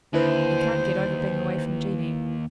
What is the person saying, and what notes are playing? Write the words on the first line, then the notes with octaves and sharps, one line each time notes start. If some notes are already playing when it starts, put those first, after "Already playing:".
He can't get over being away from Jeanie.
D#2 D3 E4 B4 C5